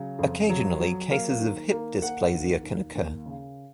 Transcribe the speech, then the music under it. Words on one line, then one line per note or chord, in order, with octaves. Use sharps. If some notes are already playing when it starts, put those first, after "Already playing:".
Occasionally, cases of hip dysplasia can occur.
Already playing: C#3 F#3
F2
F#3
F#3
A#3 F5
F5
D#3
A#3
A#3 F#5
D#2
D#3
D#2
C#3